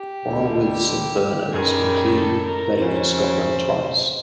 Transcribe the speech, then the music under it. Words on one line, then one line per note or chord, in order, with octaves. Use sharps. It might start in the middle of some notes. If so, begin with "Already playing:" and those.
While with Saint Bernard's, McLean played for Scotland twice.
Already playing: G4
D2 D3 G3
F#2 D#3 G3 G#4
A4
A#4
F2 C#3 F#3 C5